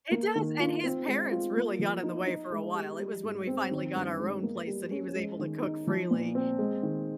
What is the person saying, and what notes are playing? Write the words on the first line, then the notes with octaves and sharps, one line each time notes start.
It does, and his parents really got in the way for a while, it was when we finally got our own place that he was able to cook freely.
A#3
D#3
F4
C4
G#3
F4
A#3
F3
D#4
D#4
G#3
G4
G3
G#2
C4
D#3
G2
G#3
A#3
G3
C#4
G#3
D#3
D#4
F3
A#2
C4
G#3
D#3